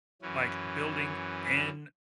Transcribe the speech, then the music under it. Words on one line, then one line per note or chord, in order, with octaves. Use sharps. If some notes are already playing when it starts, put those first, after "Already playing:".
like, building and
F#2 E3 C#4